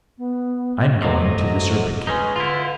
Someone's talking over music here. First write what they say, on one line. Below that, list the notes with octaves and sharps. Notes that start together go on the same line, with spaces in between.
'I am going to the Serpent King.'
B3
C3 F#3 A3 D#5
G#3 C#4 D#4 B4
D3 E4 F4